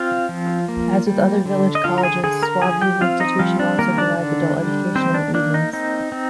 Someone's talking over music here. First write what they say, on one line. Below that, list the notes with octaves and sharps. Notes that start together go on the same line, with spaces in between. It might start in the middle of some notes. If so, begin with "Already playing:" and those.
As with other village colleges, Swavesey's institution also provides adult education in the evenings.
Already playing: C4 F4 F5
F3
A#3
G3
D3
D#5
D3 F4 F5
A#5
G#4 G#5
D3 G#4 G#5
A#4 A#5
F3 G#4 G#5
G4 G5
C4 F4 F5
D#4 D#5
F3 G3 F4
D4
D#3 A#3 A#4
D4 D5
D3
G3
D#3 C4 C5
D4
A#3 D4
D#4
C4 D#4
C4